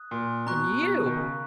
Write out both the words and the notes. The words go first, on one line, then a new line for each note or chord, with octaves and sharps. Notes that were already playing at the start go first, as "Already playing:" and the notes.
And you!
Already playing: D#6 F#6
A#2
B2 A#5 C#6 F#6
B2
D#3
C#3